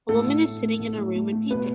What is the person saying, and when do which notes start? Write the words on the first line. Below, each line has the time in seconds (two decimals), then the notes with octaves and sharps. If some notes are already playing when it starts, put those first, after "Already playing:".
A woman is sitting in a room and painting.
0.09 A2 A4
0.27 A2
0.45 A3
0.63 A3
0.80 A2
0.98 A2
1.15 A3
1.32 A3
1.50 B2 B4